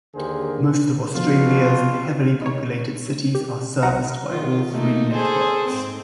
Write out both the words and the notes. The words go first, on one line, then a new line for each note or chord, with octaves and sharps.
Most of Australia's heavily populated cities are serviced by all three networks.
D#2 D3 G4 G#4 A#4 C5
B2 D3 F3 F4
D#4 C#5
G4
B1 F#3 F#4 F#5 A#5
D#3 F4
A3 A#3 D#4
G#4 A4 C5
G#2 C4